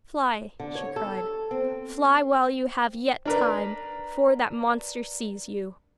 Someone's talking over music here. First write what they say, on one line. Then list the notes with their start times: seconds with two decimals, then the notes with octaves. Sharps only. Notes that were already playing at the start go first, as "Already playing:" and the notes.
'Fly,' she cried; 'fly while you have yet time, before that monster sees you.'
0.60 D3
0.75 C#5
0.96 A4
1.51 C4
3.25 D4 A#4 B4